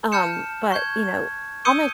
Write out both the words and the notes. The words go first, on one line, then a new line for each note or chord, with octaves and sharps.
Um, but, you know, all my
A5 F6 G6 C#7 E7
C#6 G6 G#6
D#6 E6 G6 C#7 D#7 G7